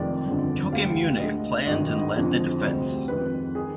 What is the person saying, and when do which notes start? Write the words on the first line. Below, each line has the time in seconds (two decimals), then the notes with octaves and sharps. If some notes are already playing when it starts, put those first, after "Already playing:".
Tokimune planned and led the defence.
Already playing: F1 F2 D#3 G#3 D5
0.25 G1 F2 D3
0.73 D2 D3 G3 F5
1.20 D2 D3 G#3 D#5
1.67 G#1 G2 D#3 G#3 D#5
2.14 F2 D3 F3 G#3
2.61 D2 C3 G3 C5
3.08 F2 D#3 G#3 B4
3.55 D#3 G#4